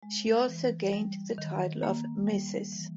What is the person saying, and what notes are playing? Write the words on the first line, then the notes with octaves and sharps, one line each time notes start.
She also gained the title of Mrs.
G#3
E3
G3
D#3
A#3
G3
E3